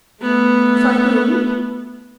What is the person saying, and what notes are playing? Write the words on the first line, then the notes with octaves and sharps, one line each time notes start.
"If I do?"
A3 B3